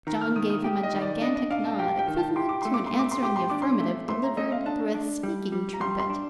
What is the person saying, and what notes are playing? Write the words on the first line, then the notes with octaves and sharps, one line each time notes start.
John gave him a gigantic nod: equivalent to an answer in the affirmative, delivered through a speaking trumpet.
D#3 A#5
F6
D#3 D#6
D#6
G4
D#5
D#3
D5
D4 D#5
D#5
D4 F5
A5
G4 G5
G5
D#3
A5
G4 C6
D6
A3 C6
D6
C6
A3
D6
C6
G4 D6
C6
D4 D6
C6
A3
A3 C6
A#5
A3 D#5
F5
D4 A5
D4
G3
G3
A#5
G3 C6
C6
D4